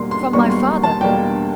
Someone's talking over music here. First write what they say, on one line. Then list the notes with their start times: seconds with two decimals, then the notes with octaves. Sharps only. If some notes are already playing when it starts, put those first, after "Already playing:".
"From my father?"
Already playing: E2 B2 G3 A#3 D4 C6
0.11 C6
0.33 E2 B2 G3 A#3 D4 C#6
0.50 C6
0.83 A5
1.01 E2 B2 G3 A#3 D4 G5